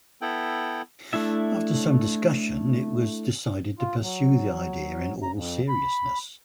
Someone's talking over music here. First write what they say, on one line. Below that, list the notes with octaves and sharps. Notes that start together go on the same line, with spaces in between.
After some discussion it was decided to pursue the idea in all seriousness.
B3 E4 A4 G5
A3 D4 E4 E5
F4
F#3
A#5
F2
B5